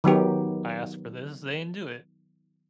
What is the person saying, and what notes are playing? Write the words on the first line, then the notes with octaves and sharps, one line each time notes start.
asked for this, they didn't do it.
D#3 F#3 B3 G4